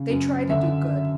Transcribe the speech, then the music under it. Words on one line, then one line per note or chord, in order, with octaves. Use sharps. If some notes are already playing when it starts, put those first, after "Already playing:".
They try to do good.
Already playing: C#3
F#2
D3 E5